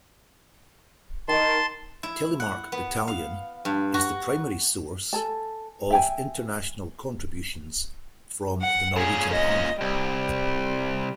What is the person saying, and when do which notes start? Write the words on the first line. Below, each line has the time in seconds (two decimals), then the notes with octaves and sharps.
Telemark Battalion is the primary source of international contributions from the Norwegian Army.
1.28 D#3 A5 C6
2.03 E4
2.40 F#5
2.72 B3
3.08 F5
3.65 G2
3.94 F#4
5.13 A4 G#5 A5
5.90 E5 G5 G#5
8.61 F#5
8.96 A#2 C#4 G#4
9.32 D#5
9.81 C2 G3